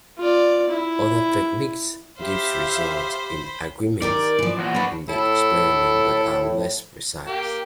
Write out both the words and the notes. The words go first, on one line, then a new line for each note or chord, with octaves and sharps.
Other techniques give results in agreement in the experiment but are less precise.
F4 D5
E4
G4 C5 E5 F5 B5
D#3 G4 A#4 D5
E3 F3
E2 A#2 F#4
B3 D4 F#4 B4
A2 E4 A4
A#3 G4